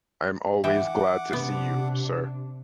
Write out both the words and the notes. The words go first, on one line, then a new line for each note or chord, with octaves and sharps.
I'm always glad to see you, sir.
E3 E5 F#5 G5 D6
C3 B3 D4